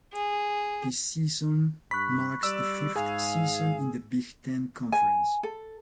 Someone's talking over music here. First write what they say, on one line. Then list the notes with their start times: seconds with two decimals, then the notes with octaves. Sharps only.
This season marks the fifth season in the Big Ten Conference.
0.13 G#4
1.91 G2 B5 C#6 F#6 B6
2.43 G3 D5 E6
2.96 G#2 G#4 F5 G#5
4.92 G#5
5.43 A4